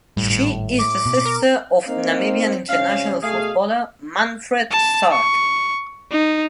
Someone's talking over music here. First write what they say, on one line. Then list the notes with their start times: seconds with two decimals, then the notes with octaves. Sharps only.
She is the sister of Namibian international footballer Manfred Starke.
0.17 G#1 A2 G3
0.30 A2
0.79 D6
1.06 B2
1.26 A#4
1.87 A#3 C4 D#4 F5
2.69 C3 F3 G3 C#4 F5
3.22 B2 A3 G#4 F5 G#5
4.71 A5
5.12 C#6
6.11 D#4